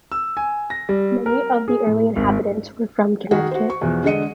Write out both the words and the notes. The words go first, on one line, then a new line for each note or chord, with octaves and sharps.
Many of the early inhabitants were from Connecticut.
E6
G#5
A#6
G3
A#4
G#4
A2
G#1
D#3 F#4 G#4
F#4 C5
C#6
E2 B2 E3 F3
D3 G#3 D#5 C#7 D#7